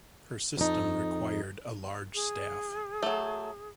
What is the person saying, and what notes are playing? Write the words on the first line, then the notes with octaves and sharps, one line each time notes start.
Her system required a large staff.
F2 D#4
G#4
F#3 A3